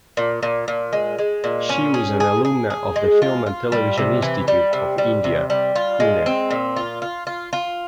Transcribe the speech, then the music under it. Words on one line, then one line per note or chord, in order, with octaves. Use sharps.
She was an alumna of the Film and Television Institute of India, Pune.
A#2
A#2
A#2
G#3
G#3
A#2
C#4
G#4
G#4
G#4
G#4
G#3
F4
F4
G3
C3
E3
G3
C3
G3
C3
G3
F4
G#3
C4
A#2
F4
F4
F4
F4